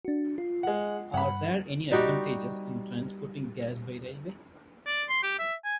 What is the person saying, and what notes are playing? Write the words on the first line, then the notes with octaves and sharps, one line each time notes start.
Are there any advantages in transporting gas by railway?
D4 F#4
F4
G#3 F#5
G2 F#5 B5
G3 D#4 F#4 G4
D5
C6
G4
E5
G#5